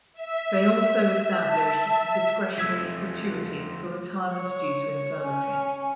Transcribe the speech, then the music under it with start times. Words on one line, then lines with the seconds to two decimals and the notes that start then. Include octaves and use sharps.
They also established discretionary gratuities for retirement due to infirmity.
0.13 E5
1.49 A5
2.58 F3 A3 E6 G#6 B6
4.33 C#5
5.22 C#4